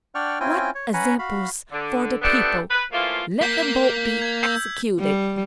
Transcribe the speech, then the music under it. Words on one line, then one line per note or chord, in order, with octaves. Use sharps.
"What examples for the people! Let them both be executed."
D4 D5 F#5 G5 C#6 F6
C4 C#4 E4 F4 G5 G#5
C#5
C#4 B4 F#5 G#5 A#5 B5
F#4 F5 B5
D3
A3 B3 C4 D4 G4 A4
B4
E3 F3 A3 A#3 F4
A#3 G6 B6
G#6
E6 G6
G3